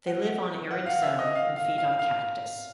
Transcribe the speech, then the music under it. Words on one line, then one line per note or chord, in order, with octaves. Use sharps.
They live on arid zone and feed on cactus.
F#5
F#5
F5
E5
D#5
F5
F5
F5
F5